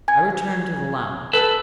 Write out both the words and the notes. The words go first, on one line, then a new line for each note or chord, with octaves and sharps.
I returned to the lounge.
G#5 G#6
A4 B4